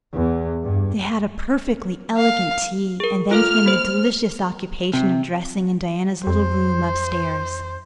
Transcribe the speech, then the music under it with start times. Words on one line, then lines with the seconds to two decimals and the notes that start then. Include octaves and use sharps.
They had a "perfectly elegant tea;" and then came the delicious occupation of dressing in Diana's little room upstairs.
0.15 E2
0.64 G2
2.18 F5
3.00 G#4 A#4
3.31 F4 A4 F5 F6
3.66 A#3 C5
4.93 C3
6.27 F2 C5